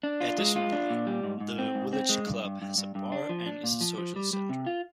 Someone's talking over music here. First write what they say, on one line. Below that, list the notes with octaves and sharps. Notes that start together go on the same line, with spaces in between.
Additionally, the Village Club has a bar and is a social centre.
D4
F4
G#3
F4
D4
A#2
G3
G#2
G#2
C4
G#2
C4
G#3
G2
G2
G2
G2
G2
D4
F3
D4
A#2
F3
F3
G3
G3
C3
F4